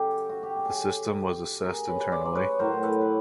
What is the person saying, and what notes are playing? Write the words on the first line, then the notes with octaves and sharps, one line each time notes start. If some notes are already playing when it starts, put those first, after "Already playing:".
The system was assessed internally.
Already playing: C#3 F#3 G4 A4
F#4
G4
G#4
G4 A4
G#4 A#4
B4 C#5
C5 D5
D5
B4 C#5
A2 F#3 A#4 C5
A4 B4
B4